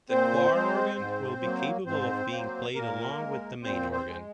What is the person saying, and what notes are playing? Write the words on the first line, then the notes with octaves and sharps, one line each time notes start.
The choir organ will be capable of being played along with the main organ.
A#2 C4 C5
G#3
G#2
F#3 A#3
G#2 C4 C5
F#3 A#3
A#2 A#3 A#4
G#3
A#2 C4 C5
C4 C5
G#3